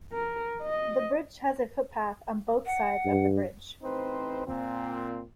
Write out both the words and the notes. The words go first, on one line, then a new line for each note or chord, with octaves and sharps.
The bridge has a footpath on both sides of the bridge.
A#4
D#5
F#5
G2
A1 C4 D#4 B4 C5
A#2 C4